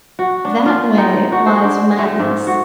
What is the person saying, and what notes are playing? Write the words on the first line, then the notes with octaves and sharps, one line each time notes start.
That way lies madness.
F#4
D4
F4
D#4
F#4
C5
D4
A3
G#2
F#4